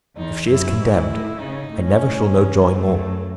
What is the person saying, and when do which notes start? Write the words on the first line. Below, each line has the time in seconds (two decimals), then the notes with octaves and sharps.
If she is condemned, I never shall know joy more.
0.17 E2 D#4
0.48 F#2 E4
0.79 G#2
0.94 E4
1.10 A2
1.39 C#3 D#4
1.69 A2
1.85 C#4
2.00 A2
2.30 E2 C#4
2.76 F#2 A3